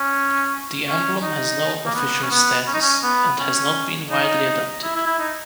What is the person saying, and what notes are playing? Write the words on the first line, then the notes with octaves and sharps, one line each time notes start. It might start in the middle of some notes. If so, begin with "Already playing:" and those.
The emblem has no official status, and has not been widely adopted.
Already playing: C#4
C#4
D#4
A#3
B3
C#4
B3
C#4
D#4
C#4
B3
C#4
D#4
E4
E4
E4
D#4